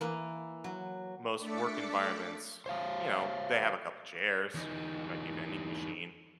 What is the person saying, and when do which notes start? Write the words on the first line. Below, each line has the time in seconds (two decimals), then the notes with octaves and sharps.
most work environments, you know, they have a couple chairs, there might be a vending machine.
0.01 E3 A#3
0.64 F#3
1.37 A3 D4 D6 A6 B6 C#7
2.66 C5 C#5 F5
4.55 E2 D#4